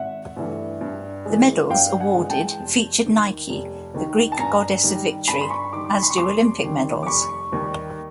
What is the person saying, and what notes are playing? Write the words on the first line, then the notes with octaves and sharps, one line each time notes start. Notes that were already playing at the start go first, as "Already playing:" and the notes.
The medals awarded featured Nike, the Greek goddess of victory as do Olympic medals.
Already playing: G#1 E5 F#5
G2 E3 A3
G2
E3 G#3
G2 F5 G5
F#5 G#5
E3 G#3
G5 A5
F1
D#2 D#3
F1
D#2 D#3
A5
G2 G#5 A#5
D#3 G3
G2 A5 B5
C6
B5 C#6
D#3 G3 C6 D6
D6
B5 C#6
C6
C#6
F1 C6 D6
D#2 D#3 G3
D6
F1 B5 C#6
D#2 D#3 G3